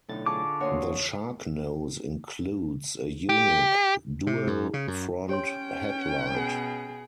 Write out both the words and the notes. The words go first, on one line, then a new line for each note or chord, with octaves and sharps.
The Sharknose includes a unique, dual front headlight.
B1 A2 D3 D#4 A6
D3 F4 G#4 A5 C#6 D6
D2 A#2 F#4 C#5 C6 D#6
G4
C3
F#2
C#3
F#2
C#4 G4 C#5 G5 C6
B2 G#4